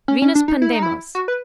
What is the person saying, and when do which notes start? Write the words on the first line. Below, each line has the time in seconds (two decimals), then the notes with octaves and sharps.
Venus Pandemos.
0.08 C#4
0.22 C#4
0.35 D4
0.48 D#4
0.62 E4
0.73 D#4
0.83 E4
1.15 F#4
1.28 B4